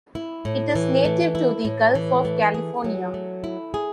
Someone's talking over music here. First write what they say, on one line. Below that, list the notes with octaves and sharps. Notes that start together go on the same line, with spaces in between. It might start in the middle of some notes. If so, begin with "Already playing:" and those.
It is native to the Gulf of California.
E4
A2
E3
A3
E4
A2
E3
A3
G#4
F#3
A3
E4
G#4